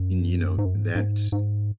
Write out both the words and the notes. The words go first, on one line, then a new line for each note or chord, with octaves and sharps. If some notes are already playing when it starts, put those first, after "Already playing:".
and, you know, that
Already playing: F#2
G#2
F#2
G#2
G#2
G#2